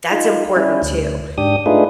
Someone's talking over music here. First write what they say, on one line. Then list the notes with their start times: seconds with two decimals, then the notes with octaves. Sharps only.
that's important too.
0.11 D#4 F4
0.57 G3 C#4 E4
0.82 D2
1.38 G#2 D4 G4 D#6
1.66 A3 D4 D#4 F4 G#4 B4